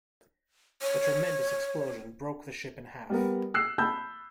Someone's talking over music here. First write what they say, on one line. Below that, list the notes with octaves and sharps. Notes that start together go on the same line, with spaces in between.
A tremendous explosion broke the ship in half.
C#5
G3 B3 A#4
E6 F#6 C7
A5 B5 E6 G6